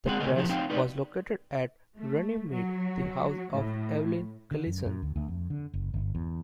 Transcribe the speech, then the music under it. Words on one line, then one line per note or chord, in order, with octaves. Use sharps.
The Press was located at Runnymede, the house of Evelyn Gleeson.
G#3 C4 G#4 F#5
A2 C#3 A#4 C#5 D#5 G#5
F3 F#3 E4 G4 C5
C4 D#4 C#5 F5 G5
D#4 B4 D5
A3
F#3
A2
D3
F#2
F#2
D2
D2
F2
D3
F#1
G1
E2